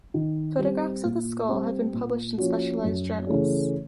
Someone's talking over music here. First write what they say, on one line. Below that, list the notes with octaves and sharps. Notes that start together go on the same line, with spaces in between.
Photographs of the skull have been published in specialized journals.
D#3
G3 C4
A#2
G3 C4
A#2
F3 A#3 C#4 F#4
F#2
C#3 E3 A3 C#4